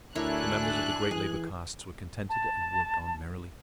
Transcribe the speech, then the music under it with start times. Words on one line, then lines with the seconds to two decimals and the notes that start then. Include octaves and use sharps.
The members of the great labor castes were contented and worked on merrily.
0.15 D2 A3 D4 E4 A#4 C#5 G#5 F#6
1.11 E3 G#4
2.29 A5